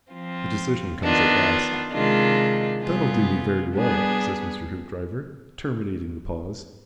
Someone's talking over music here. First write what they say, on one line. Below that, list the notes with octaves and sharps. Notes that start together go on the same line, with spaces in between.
The decision comes at last. "That'll do me very well," said Mr. Hoopdriver, terminating the pause.
F3 C4 F4
D#3 B3 D4 F4
C3 D#3 G#3 D4 F4
C3 G3 B3 F4 G#4
G3 B3 D4 G#4